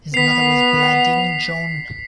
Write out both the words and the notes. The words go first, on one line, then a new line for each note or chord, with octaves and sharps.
His mother was Bladine John.
B3 B6 C7 F7